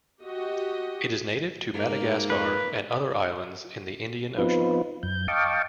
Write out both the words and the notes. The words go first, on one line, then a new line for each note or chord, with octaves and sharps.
It is native to Madagascar and other islands in the Indian Ocean.
F#4 G4 D#5
G#2 A#3
B4
F3 B3 C4 D#4 F4 B4
F#2 G6
D#5 F5 G5 A5 C#6 D6